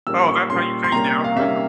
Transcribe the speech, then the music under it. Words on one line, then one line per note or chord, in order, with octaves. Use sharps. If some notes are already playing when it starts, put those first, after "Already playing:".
Oh, that's how you change the algorithm?
A#2 G3 A#3 C#4 E6
C#6
A#2 G3 A#3 C#4 C6
C6
C3 G3 A#3 C#4 A#5
F5
C3 G3 A#3 C#4 E5